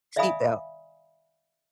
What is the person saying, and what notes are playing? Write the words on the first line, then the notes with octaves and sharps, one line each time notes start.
Seat belt.
D5 E5 F5 G#5 B5 D#6